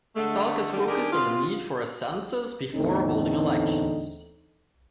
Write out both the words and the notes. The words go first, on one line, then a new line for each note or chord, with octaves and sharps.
Talk has focused on the need for a census before holding elections.
D3 G#3 A3
D3 D#3 G3
D#3 D4 G4 G#4 A#4
C3 B3 F4
E2 A2 D3 A3 C4 D#4